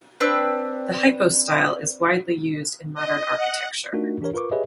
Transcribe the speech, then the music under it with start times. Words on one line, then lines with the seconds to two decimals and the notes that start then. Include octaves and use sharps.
The hypostyle is widely used in modern architecture.
0.20 C4 D4 B4 E6
2.95 D#5
3.37 F#5
3.93 A3 D4 D#4 F4 F#4 A#4
4.21 E3 D4 G4 A#4 C#5
4.33 F4 A#4 B4 C#6 D6
4.51 G4 G#4 B4 C#5 D#5 E5